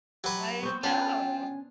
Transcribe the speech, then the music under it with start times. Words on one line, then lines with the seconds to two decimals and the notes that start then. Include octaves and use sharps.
I know!
0.24 F#3 G4 B4
0.63 B3 C4 C#6
0.83 C#4 D4 F4 G5 G#5